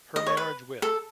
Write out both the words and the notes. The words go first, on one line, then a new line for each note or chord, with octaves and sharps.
Her marriage with.
D#5
C#5
B4
A4